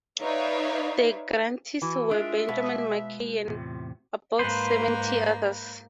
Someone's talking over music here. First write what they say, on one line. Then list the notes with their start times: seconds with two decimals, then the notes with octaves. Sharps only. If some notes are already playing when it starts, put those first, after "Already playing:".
The grantees were Benjamin Mackay and about seventy others.
0.20 D#4 B4 C#5 D5 E5 F5
1.82 E3 F#4
2.11 G#3 D4 F4 A#4 E5
2.49 B2 G#3 B4 F5
3.48 E2 A2 C3 F4
4.39 G#2 A#3 B4 C5